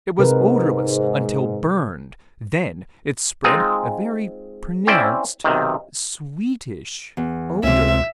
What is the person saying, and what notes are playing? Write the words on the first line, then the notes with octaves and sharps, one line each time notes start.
It was odorless until burned: then it spread a very pronounced sweetish odor.
G#2 C3 A#4 B4
G#3 C4 D#4 F4 G#4
C4 C#4 E4 C5 D5 G5
B1 C3 D#3
E2
C#2 C3 C#4 E5